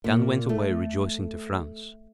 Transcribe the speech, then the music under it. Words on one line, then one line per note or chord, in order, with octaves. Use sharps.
Gan went away rejoicing to France.
A#2
A3